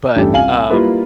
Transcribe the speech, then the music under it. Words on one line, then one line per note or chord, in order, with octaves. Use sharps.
but, um,
A1 G2 A3 G4
C2 F5 G#5 F#7
G3 A#3 E4 F4 B4